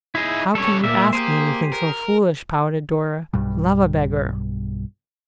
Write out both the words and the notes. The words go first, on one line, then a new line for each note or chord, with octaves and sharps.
'How can you ask me anything so foolish?' pouted Dora. 'Love a beggar!'
D#4 E4 G#4 E5
G3 C#4 A4 C#5
A#2 A#3 E5
A#3 G4 G#4 C5
A#4
B1 G2 B2 G3